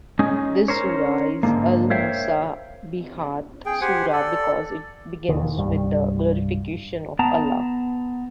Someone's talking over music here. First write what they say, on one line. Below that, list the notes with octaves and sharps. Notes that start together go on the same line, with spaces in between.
This sura is a Al-Musabbihat sura because it begins with the glorification of Allah.
G#3 C#4 D#4
C#4 A#4 C5 C#5
G#2 D3 A#3
A#4 C5 C#5 E5 F5 G5
G#4 G5
G4 C5 F#5 G#5
A4 D5
E1 D#2 D#3
C2 G2 G3
B3 A5 A#5